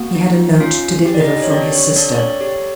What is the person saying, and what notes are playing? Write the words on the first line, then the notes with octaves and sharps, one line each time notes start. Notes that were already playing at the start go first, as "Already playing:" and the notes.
He had a note to deliver from his sister.
Already playing: A#3 F#4 F#5
D#4
C#4 F4 F5
G4
D5
D#4 D#5
C#5
C4 D4 D5
C#5
C#5
D4 A4 D5
D5
C#5
G4 C#5